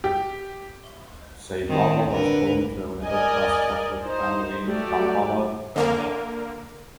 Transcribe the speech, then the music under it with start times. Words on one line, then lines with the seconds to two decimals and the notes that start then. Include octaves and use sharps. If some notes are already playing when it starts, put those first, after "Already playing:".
Sey Wava was born to a middle-class Catholic family in Kampala, Uganda.
0.04 G4
1.68 D#3 C4 C#4
2.10 D3 A#4 B4
3.05 A#4 D5 D#5 G#5
4.03 D#4 C5
4.66 F#3 A3 F#4 G4 D5
5.76 D3 A#3 A#4